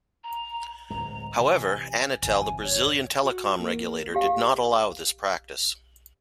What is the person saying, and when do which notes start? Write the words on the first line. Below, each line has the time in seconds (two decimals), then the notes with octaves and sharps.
However, Anatel, the Brazilian telecom regulator, did not allow this practice.
0.24 A#5
0.90 D1 G#3 A#5
1.37 C3 E3 G#5
2.22 G1 E2 C3 G#5
2.63 C#5
3.22 F#4
3.59 A#3
4.15 G4 F5